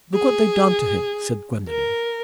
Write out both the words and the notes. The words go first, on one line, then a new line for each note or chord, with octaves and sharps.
"Look what they've done to him," said Gwendolen.
G#4
A#4